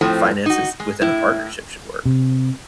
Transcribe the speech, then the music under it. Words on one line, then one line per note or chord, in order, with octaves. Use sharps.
finances within a partnership should work?
A2 F3 A3 C4
D#4 F#4
G#3
A2 E4
C3